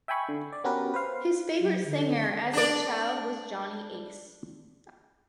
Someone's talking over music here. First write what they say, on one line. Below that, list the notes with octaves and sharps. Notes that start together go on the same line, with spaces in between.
His favorite singer as a child was Johnny Ace.
E5 G5 G#5 B5 C#6
D3
D5
B3 C#4 F#4 G4 A#4 B4
B4 C5 F5
F#3
D3
D4 D5